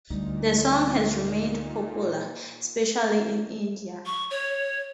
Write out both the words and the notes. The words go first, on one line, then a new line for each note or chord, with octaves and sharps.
The song has remained popular, especially in India.
D2 A#2 G3 D#4
C#6
C#5